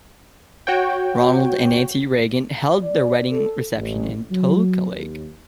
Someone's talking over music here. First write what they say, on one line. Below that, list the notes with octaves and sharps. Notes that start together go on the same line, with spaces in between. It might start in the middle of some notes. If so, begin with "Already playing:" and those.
Ronald and Nancy Reagan held their wedding reception in Toluca Lake.
F#4 C#5 G5
D5
A4
A1
F#3
D#2